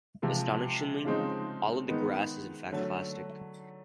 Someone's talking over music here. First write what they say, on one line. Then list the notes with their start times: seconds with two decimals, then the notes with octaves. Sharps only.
Astonishingly, all of the grass is in fact plastic.
0.22 C3 F3 G#3
1.05 C#3 F3 G#3 C4 D#4
1.88 D#3 G#3 B3 D#4
2.72 D3 F#3 A3